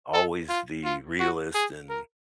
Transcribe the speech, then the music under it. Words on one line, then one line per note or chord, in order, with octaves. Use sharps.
always the realist and
A4
F4
F4
F#4
G#4
A#4